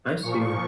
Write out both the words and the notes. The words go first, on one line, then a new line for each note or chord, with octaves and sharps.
I see.
A#2 F3 C#6